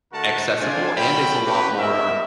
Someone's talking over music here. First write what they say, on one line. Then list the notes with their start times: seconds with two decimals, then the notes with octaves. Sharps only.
accessible and is a lot more
0.13 D3 A3 F#4 A#4 F#5 A5
0.60 D4 F4 G#5
0.97 B2 F#3 A#4 G5 B5
1.46 C#4 F#4 G4 B4
1.80 B3 A#4 D#5 E5